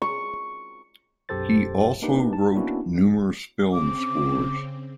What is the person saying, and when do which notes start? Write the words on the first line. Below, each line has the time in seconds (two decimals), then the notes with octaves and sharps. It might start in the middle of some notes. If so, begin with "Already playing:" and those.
He also wrote numerous film scores.
0.02 C#6
1.29 B1 F#2 G4 A4 C5 A6
2.02 A#3 D4 D#4 G4 B4
2.33 A5
2.53 A#3 B3 C#4 D4 E4 F#4
3.73 C#3 C4 D6